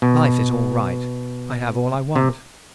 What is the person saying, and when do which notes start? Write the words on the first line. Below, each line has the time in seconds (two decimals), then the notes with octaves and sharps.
Life is all right; I have all I want.
0.02 B2
2.16 C3